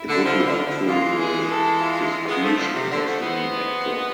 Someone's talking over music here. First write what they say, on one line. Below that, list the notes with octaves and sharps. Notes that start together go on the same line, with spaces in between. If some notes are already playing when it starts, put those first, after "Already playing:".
It would be up to the discretion of the actor.
Already playing: E4
D3
D3 F3
C3
D3
D3 F3
E3 G#3 F4
G#4
A4
F4
E3 G#3 F4
G#3 B3
F3 A3 C5
D3 F3
C3
D3
F3 A3
G#3 B3